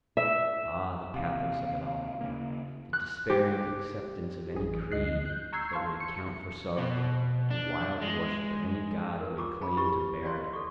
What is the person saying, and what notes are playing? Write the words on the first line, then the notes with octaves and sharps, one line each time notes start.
Ah! the pathos of it all, the despairing acceptance of any creed that would account for sorrow, the wild worship of any God who had claimed to bear it!
E5
D#2 C3 F5
C#3 A#3
F#6
G4
A1 G#4
D2 D#5 F#6 C7
F#6 G6
A#5 C#6 E6 G6 G#6 C7
F5 A5 C6 C#6
C#7
B2
D4
G#3
A#4 B4
F4 A#5 C#6 D6
G#4 A5 B5
E4 G4 B4 B5 C#6
D5 D#5 F5 G5 A#5 C6
A4 C#6